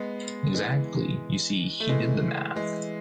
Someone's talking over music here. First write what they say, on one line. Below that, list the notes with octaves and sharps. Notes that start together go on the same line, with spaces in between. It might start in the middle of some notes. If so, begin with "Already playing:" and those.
Exactly, you see, he did the math.
Already playing: G#3 B3
E3 G#3
A3
E3 G#3
E3 G#3